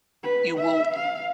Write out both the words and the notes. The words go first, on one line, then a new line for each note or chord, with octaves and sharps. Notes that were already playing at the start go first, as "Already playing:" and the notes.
you will,
B4
E5
F5